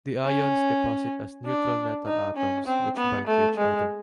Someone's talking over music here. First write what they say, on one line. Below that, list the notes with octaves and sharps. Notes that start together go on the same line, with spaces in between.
The ions deposit as neutral metal atoms, which bind to each other.
C#4
D4
D#4
C#4
C4
B3
A3
G#3